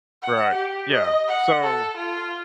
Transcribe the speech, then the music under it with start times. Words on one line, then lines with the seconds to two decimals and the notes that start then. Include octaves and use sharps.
Right. Yeah. So,
0.23 F#5
0.54 G4
0.92 D#5
1.28 F#5
1.63 A4
1.97 F4